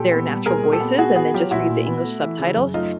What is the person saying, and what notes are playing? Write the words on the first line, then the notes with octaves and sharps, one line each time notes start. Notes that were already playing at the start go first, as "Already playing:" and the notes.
their natural voices and then just read the English subtitles.
Already playing: A#2 G4 A4
B3
G3
A#2 G#4 A#4
A#2
G4 A4
B3
A#2 F#4 G#4
B3 F#4 G#4
F#3 F4 G4
A#2 E4 F#4
A#2
B3
A3
E3
C#3
F#2
A3 D#4 F4